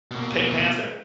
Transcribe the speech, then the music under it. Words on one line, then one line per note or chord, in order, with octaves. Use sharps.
The Pink Panther?
B2 A#3